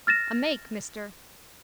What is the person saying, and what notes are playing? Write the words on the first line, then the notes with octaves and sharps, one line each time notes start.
A make, mister.
F6 A6 A#6 E7